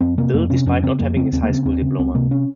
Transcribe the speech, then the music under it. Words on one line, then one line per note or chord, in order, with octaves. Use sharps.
Bill, despite not having his high school diploma.
F2 C4
C3 A#3
F2 A#3
C3 C#4
F2 C#4
C#3 C4
F2 A#3
C#3 C4
D#2 C4
A#3
C#3 C4
D#2 C4
C#3
C#2 C4
C3 A#3
C#4